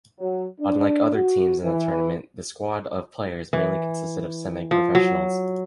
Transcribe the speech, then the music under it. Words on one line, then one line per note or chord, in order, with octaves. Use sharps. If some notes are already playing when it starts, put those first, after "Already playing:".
Unlike other teams in the tournament, the squad of players mainly consisted of semi-professionals.
F#3
D4
F#4
E3
E3
F3
F#3